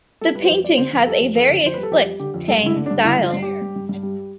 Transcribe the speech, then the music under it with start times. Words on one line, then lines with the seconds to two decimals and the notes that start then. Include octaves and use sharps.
The painting has a very explicit Tang style.
0.21 G3 A4
0.35 G3 B4
0.45 C5
0.49 F2 B4
0.63 G3 D5
0.78 D3 C5
0.93 F2
1.06 G3 A4
1.21 F2
1.35 F2 A4
1.49 D3
1.63 F2 C5
1.74 B4
1.78 G3
1.83 A4
1.91 F2 G4
2.05 G3
2.20 D3 G4
2.34 F2
2.48 G2 A4
2.63 D3 E4
2.76 D3
2.86 D4
2.91 G2
3.04 D3 E4
3.19 G2 F4
3.34 G2
3.42 G3 G4
3.62 G2
3.76 G2
3.89 G2
4.03 G3